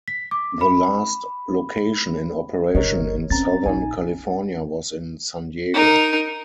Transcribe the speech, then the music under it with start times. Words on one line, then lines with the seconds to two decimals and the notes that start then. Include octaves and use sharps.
The last location in operation in Southern California was in San Diego.
0.08 B6
0.31 D6
0.61 B5
2.75 F#2 C#3 A#4 C#5 D#5
2.92 G1
3.30 C4 C#4 A#5 A6
3.66 A#1 D#4 G#5
5.73 D#4 A#4